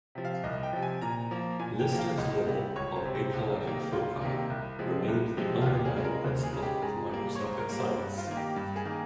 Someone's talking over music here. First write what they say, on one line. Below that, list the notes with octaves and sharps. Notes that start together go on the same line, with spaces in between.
Lister's law of aplanatic foci remained the underlying principle of microscopic science.
C3 F3
F5
C2 D#5
G5
C3 F3
G#5
A#2 A#5
F3 A#3
A#2 G#5
G5
F3 A#3
F5
C#2 D#5
C3 G3
C#2 C#5
C5
C3 G3
C5
C#2
C3 D#3 A#3
C#2 F4
C3 D#3 A#3
C2
C3 F3 G#3
C2
C3 F3 G#3
F4
D#2 G4
G#4
C#3 G#3
A#4
D#2 C5
G#4
C#3 G#3
G4
G#2 G#4
G3 A#3
C#5
G#2 C5
A#4
G3 A#3
C5
G2
F4
D#3 A#3
G4
G2
G#4
D#3 A#3